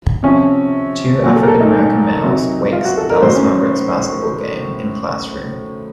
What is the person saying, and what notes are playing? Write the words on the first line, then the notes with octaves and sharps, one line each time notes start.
Two AfricanAmerican males wakes a Dallas Mavericks basketball game in classroom.
C3 F3 C#4
A#2 F#3 F#4
A4
A#4
A4
D#4
C3 F#3
F4
F#4
A4
A#4
A2 F#3 C5
C#4